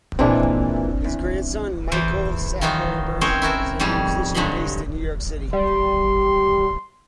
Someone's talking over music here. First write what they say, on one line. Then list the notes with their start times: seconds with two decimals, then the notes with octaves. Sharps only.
His grandson, Michael Sackler-Berner, is a musician based in New York City.
0.19 A#2 E3 G#3 C4 D4
1.04 E2
1.92 E2 E3 C5
2.61 D#3 E3 F#3 D#4 F4
3.21 C4 C#4 G#4 A#4 C5 C#5
3.42 E4 F#4 A#4 A5
3.79 F2 G#2 G3 G#4 A5
4.34 G2 D3 F#3 G#3 B5 C6
5.53 G3 C6